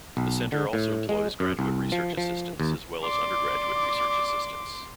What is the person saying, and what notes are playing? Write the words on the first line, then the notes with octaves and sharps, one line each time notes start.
The Center also employs graduate research assistants as well as undergraduate research assistants.
B1
D3
A2
G#3
F#2
C2
F3
F3
D#2
D5 C6 D6